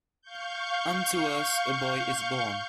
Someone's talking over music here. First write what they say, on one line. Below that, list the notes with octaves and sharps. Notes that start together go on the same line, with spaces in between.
Unto us a boy is born.
F5 C#6 G6